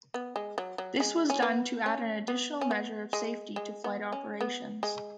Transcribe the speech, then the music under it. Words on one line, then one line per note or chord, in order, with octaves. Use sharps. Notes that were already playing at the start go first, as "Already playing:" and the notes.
This was done to add an additional measure of safety to flight operations.
B3
G#3
F#3
F#3
G#3
C#4
B3
C#4
B3
C#4
B3
G#3
G#3
B3
C#4
B3
G#3